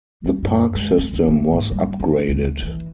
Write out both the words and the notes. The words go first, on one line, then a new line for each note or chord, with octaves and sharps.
The park system was upgraded.
G3
F#2
G#3
C4
D#2
A#3
G#2
G3
C4
D2
E3